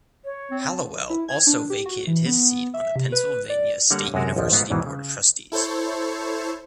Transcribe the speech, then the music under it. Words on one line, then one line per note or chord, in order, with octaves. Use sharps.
Hallowell also vacated his seat on the Pennsylvania State University Board of Trustees.
C#5
C4
A5
E4
G#6
D4
G4
F#4
E3
B3
E5
C3
B4
D5
D3 G3 A#3 C#5 F#5 A#5
F#2 C3 G#3 F#4 A#4
A#1 D#2 F3
G#2 A3 B3 F4 F#4
E2 G#2 B2 D#3 E3
C#3
E4 A4 C5 C#5